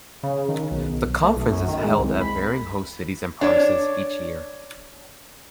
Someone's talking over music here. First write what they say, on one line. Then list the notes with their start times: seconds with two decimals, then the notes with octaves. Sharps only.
The conference is held at varying host cities and provinces each year.
0.23 C#3
0.49 D#3
0.71 B1
1.23 A3
1.36 B1
1.51 F#2
1.68 D#3
1.83 G#3
1.98 C2
2.21 B5
3.41 D4 C#5 D5